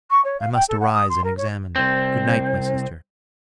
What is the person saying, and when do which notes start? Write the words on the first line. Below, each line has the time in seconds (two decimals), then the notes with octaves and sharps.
I must arise and examine. Good night, my sister.
0.10 C#6
0.24 C#5
0.40 F5
0.53 G5
0.68 A4
0.80 F#5
0.92 D#6
1.09 C6
1.24 A#4
1.37 C#5
1.76 C2 C4